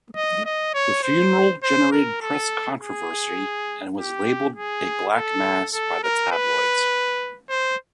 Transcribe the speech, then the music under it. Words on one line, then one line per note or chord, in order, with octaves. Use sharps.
The funeral generated press controversy, and was labelled a Black Mass by the tabloids.
D#5
D#5
C#5
C5
C5
A#4
A4
G#4
G4
G#4
A4
A4
A#4
B4
C5